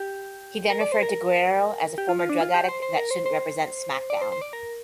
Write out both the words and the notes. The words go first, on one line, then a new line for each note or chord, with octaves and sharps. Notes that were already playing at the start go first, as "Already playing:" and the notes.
He then referred to Guerrero as a former drug addict that shouldn't represent SmackDown!
Already playing: G4
A#4
D5
C5
A#4
G4
F4
F4
D4
F4
G4
C5
C5
A#4
C5
C5
D5
C5
C5
D5
A#4